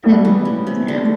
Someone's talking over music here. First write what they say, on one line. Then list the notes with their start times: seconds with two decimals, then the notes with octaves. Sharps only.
Mhm, yeah.
0.04 B2 G3 B3 E4
0.25 E3
0.45 C#3
0.67 C3
0.88 D3